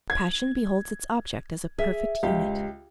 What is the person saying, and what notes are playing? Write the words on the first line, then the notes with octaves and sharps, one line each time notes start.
Passion beholds its object as a perfect unit.
G#6
G#4 E5
C#2 G4